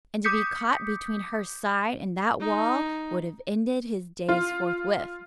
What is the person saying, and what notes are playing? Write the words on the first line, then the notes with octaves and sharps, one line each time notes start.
And to be caught between her side and that wall would have ended his days forthwith.
D6 D#6 G6 B6 C#7
D#4
F4